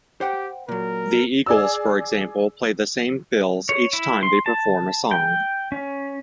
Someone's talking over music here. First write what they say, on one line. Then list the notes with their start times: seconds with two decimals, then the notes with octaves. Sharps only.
The Eagles, for example, play the same fills each time they perform a song.
0.21 G4 C5 F#5 G5
0.69 A#2 F#3 A#4
1.46 G#4 D5 E6
3.69 C#5
3.93 E4
4.23 C6
4.46 A5
5.11 G5
5.72 C#4